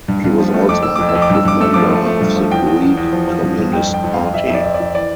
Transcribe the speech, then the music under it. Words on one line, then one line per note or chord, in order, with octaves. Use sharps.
He was also an active member of the Greek Communist Party.
G2
G2
F3
A3
F2 D6
F2 E6
F2 D6
E6
F2
D6
G2 E6
G2 D6
A3 E6
F3 D6
A3
A3
G2
F3
E2 G5
E2
E2
E2
F3
F3
G2
G2
F2 G5
F2
G5
F2
F5
F2
F2 E5
E5
F2 D5
F2
D5
F2
E3 D5